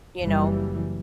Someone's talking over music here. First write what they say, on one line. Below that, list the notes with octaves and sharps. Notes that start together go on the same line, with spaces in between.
You know?
F#1 E3 G3